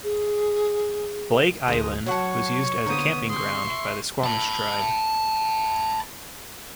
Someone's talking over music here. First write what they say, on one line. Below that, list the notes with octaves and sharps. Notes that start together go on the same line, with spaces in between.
Blake Island was used as a camping ground by the Suquamish tribe.
G#4
D2 G#3 D#4 D#5
A2 F#3 C#5 F#5 A5 C#6
D3 A#3 B3 C5 D#6
C4 G#4 C6 C#6
E4 E5
A5 B5